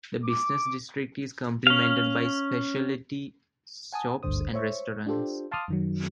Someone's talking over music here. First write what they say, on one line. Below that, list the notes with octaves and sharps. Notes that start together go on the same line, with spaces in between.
The business district is complemented by specialty shops and restaurants.
D6
C#4 F5
F#5 G#5 A5 D#6
G#1 D2 G2 D3 C5 D#6
C5 C#5 E5 C#6
D4 F4 G4 A4 C5
F5 A5 C6 D6 D#6 F6
F#2 D#3 F#3